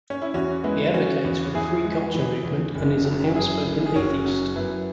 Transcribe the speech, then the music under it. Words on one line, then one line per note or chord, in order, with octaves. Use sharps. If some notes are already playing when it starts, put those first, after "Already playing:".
He advocates for the Free culture movement and is an outspoken atheist.
C#4
E4
E2 C#4 F#4
G#3 B3 E4
E3 C#4 F#4
E2
E2 E4 G#4
G#3
E3
E2
F#1
F#3
F#2 E4 G#4
F#1
G#4
F#1 C#4 F#4
F#3
F#2 B3 E4